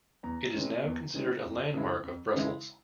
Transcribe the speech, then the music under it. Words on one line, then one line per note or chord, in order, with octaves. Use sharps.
It is now considered a landmark of Brussels.
E2 A#5
C3 E3 G#3 C#4
E2
C3 E3 G#3 C#4
F2
C#3 E3 G#3 E4
F2
C#3 E3 G#3 E4